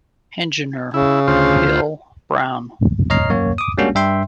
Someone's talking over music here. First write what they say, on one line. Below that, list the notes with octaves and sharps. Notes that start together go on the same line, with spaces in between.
Engineer: Phill Brown.
C#3 E4
D2 F4 C5
C#5 D#5 A#5 F6 C7
F#2 A#3 C#5
D6 D#6
G3 G#3 A#3 C#4 D4 F#4
G2 E5 G5 C6